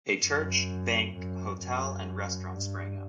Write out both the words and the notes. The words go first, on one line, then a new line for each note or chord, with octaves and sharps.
A church, bank, hotel and restaurant sprang up.
F#2
F#2
F#2
G2